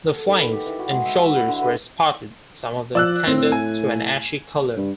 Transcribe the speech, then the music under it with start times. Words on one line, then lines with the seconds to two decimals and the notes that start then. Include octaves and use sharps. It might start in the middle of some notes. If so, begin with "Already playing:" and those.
The flanks and shoulders were spotted, some of them tended to an ashy colour.
0.07 A4
0.28 D#3
0.41 B4
0.53 G4
0.66 E3
0.79 F#4
0.91 G#3
1.06 E5
1.18 F#4
1.36 E4
1.48 D3
1.62 B4
2.95 F3 D5 E6 F#6
3.27 A2 C4
3.52 G#5
4.77 G2